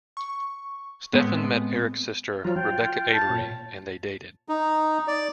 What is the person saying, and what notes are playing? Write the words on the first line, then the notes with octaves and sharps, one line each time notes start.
Stephen met Eric's sister, Rebecca Avery, and they dated.
C#6
A2 G#3 B3 C4
F3 F#3 F4
F4 G5
A5
A#2 C#5
D#4
D5